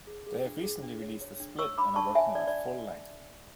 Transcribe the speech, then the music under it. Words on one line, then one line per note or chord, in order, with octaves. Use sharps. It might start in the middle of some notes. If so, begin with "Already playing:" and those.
They have recently released a split and are working on a full-length.
G#4
G#4
D4
G#4
D4
C#5
C#5
D4
C#5 C#6 E6
D4 B5 D6
D4 A5 C#6
C#5 E5 G#5
D4 D5
D5